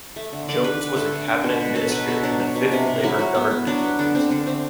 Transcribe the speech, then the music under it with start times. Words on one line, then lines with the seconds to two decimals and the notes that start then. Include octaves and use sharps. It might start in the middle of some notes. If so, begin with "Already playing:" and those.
Jones was a cabinet minister in the Fifth Labour Government of New Zealand.
0.16 A3
0.33 D3
0.48 D3 D5
0.64 D3 B4
0.81 D3 B4
0.96 A3 A4
1.12 D3
1.28 D3
1.44 B2
1.60 B2
1.75 F#3 A4
1.92 B2 B4
2.07 B2 A4
2.23 F#3 D4
2.40 F#3
2.56 B2
2.71 C3
2.87 C3
3.03 F#3 E4
3.19 F#3
3.35 B3
3.51 B3
3.67 F#3 D4
3.83 B3
3.99 D3 D4
4.15 D3 C4
4.30 D3 D4
4.47 A3 C4